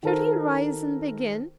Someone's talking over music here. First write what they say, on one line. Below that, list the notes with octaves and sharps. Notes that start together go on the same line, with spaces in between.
Should he rise and begin?
D#3 F#4 A4 A#4 C5